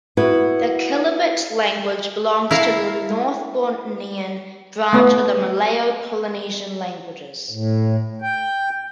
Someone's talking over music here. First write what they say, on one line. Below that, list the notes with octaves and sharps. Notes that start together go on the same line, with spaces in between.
The Kelabit language belongs to the North Bornean branch of the Malayo-Polynesian languages.
B3 E4 F#4 B4
E4 A#4 F5
A3 B3
A2
G5